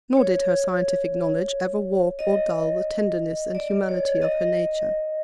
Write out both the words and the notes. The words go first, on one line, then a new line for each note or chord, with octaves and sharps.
Nor did her scientific knowledge ever warp or dull the tenderness and humanity of her nature.
C#5
D#5
D5
C#5
D#5